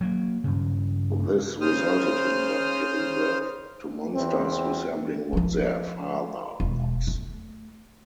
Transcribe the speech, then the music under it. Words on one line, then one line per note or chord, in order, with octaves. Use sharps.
This resulted in them giving birth to monsters resembling what their "father" was.
F#3 A#3
G2 C#3
C#3 C5 D#6 F6
E2 C4
F3 E4
E1
A3